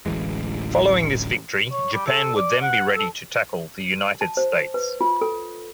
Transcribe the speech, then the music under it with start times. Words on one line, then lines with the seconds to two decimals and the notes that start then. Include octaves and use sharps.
Following this victory, Japan would then be ready to tackle the United States.
0.06 D1 A1 E3 G#3
1.72 C#5
1.94 G3
2.06 A4
2.36 D5
2.62 F#5
2.96 A4
4.21 A5
4.37 C5
4.74 B4
5.01 F4
5.21 A4